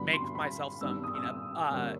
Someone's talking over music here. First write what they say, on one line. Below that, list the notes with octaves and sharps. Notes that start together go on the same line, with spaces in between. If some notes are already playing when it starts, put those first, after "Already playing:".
make myself some peanut, uh
Already playing: G2 D3 F#3 B3 D4 B5
C6
B5
G2 D#3 G3 B3 D4 E6
D#6
E6
G2 D3 G3 A#3 C#4